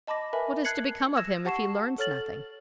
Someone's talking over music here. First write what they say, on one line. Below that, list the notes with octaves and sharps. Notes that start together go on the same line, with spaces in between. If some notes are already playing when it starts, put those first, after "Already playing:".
"What is to become of him if he learns nothing?"
D#5 A5 B5 D6 A#6
A#4 B4 E5 G#5 B5
A5 F#6 G#6 C7 C#7 F#7
E6 G#6 A#6 E7
G4 F#5 A5 C#6 C7 E7
A4 C#5 F6 A6 F#7